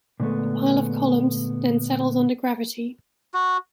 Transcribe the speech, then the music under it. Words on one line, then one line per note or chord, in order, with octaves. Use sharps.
The pile of columns then settles under gravity.
A#2 D3 G#3 A3 B3
F#4